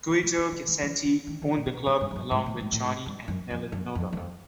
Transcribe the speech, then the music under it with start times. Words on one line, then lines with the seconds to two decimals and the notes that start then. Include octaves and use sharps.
Guido Caccienti owned the club along with Johnny and Helen Noga.
0.08 C3
0.23 C#3
0.38 C#3
0.52 D3
0.68 D#3
0.82 E3
1.05 D#3
1.27 D#3
1.42 D3
1.57 A#2
1.66 C3
1.72 B2
1.87 C3
2.01 G2
2.11 F#2
2.16 G2
2.31 G#2
2.46 A2
2.60 G#2
2.72 A2
2.83 G#2
3.06 G2
3.28 F#2
3.50 F2
3.72 F#2
3.95 F2
4.13 E2
4.17 F2